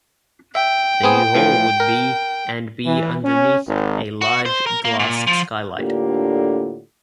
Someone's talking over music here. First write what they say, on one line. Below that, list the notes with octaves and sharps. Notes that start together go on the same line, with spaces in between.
The new hall would be and be underneath a large glass skylight.
E5 G5
B3 C4 G#4
A2 E3 F3
A#4
E3
C#4
G#1
F#4
C5
A#4
A#3
A#2
F3
A2 D3 A#3 D4 F4 G4